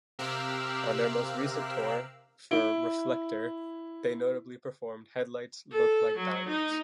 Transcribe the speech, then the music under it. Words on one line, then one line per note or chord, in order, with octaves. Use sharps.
On their most recent tour, for "Reflektor", they notably performed Headlights Look Like Diamonds.
C3 G4 A#4 F5 E6 F#6
E4 D7 G7
A4
F#3
D#4